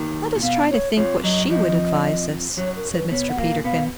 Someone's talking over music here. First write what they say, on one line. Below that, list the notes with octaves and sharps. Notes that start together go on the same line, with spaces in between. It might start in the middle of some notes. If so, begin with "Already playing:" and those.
"Let us try to think what she would advise us," said Mr. Peterkin.
Already playing: D#2 D#3
A#2
B2 F5
C#5
F2 F3 C#5
F#2 F#3 D#5
F2 F3 D#5
F#2 F#3 C#5
A#4
B4
B2 B3 C#5
F#5
A#2 A#3 F5
B2 B3 F5